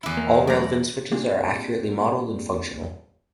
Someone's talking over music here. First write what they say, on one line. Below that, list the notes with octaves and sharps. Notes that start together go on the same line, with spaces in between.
All relevant switches are accurately modelled and functional.
E2 E4
A#3
F#2 A3 D5 A#5
A#3 C4 D4 F4 G4 G#4